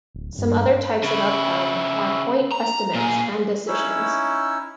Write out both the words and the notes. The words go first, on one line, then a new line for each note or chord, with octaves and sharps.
Some other types of outcome are point estimates and decisions.
D1
G2
C#3 E4
A#5
A#2 G#4
C#4 D#4 E4 C#5 E6